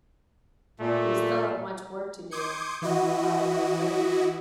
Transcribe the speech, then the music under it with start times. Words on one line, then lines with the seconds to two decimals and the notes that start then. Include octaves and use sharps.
We still have much work to do... My brother.
0.80 A#2 A3
2.31 C6 D6 D#6 G6 G#6 C#7
2.82 E3 E4 F#4 D#5